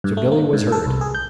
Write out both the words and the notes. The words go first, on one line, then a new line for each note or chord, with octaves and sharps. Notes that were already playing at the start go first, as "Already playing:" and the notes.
So Billy was herd.
G2
A3
A#3
G#2
A4
C2
G#4
G6